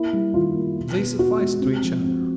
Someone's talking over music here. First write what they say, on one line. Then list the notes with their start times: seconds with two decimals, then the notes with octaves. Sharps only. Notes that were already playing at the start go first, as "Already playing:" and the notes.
They sufficed to each other.
Already playing: A#3 E4
0.13 G3
0.34 D#3 F4
0.55 A#3
0.77 B2
0.98 B3
1.19 B3 F#4
1.40 G#3
1.61 C4
1.83 F3
2.03 C4